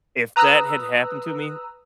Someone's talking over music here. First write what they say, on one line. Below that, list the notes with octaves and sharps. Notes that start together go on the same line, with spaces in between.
if that had happened to me
B4 A#5 D#6 E6 F#6